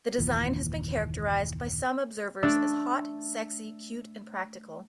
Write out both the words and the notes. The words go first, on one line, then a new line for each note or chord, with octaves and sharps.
The design has been characterized by some observers as hot, sexy, cute and practical.
F#1 D#2 A#2 E3
A3 D4 D5 E6